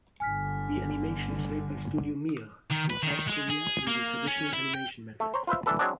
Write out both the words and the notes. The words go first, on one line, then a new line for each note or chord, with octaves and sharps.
The animation is made by Studio Mir in South Korea using traditional animation methods.
G1 D3 G#5 F6 B6
D#3
B4
D#3
G#3
G#4
A#3
C#4
E4
G5
A3
C5 C#5 A#5
F4 B4 C5 E5
E3 D4 A4 B4
F#3 G#3 C4 D4